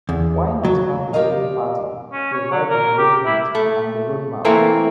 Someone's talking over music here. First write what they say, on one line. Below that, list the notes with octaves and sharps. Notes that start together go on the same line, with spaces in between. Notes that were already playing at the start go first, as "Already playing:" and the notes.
Why not have the Green Party provide the blueprint and the road map?
E2
F#3
G4 A#4 C5 D5 D#5 F5
C#4
C#5
F#3
A#4
G4
E4
A3
E3 A3 A#3 C4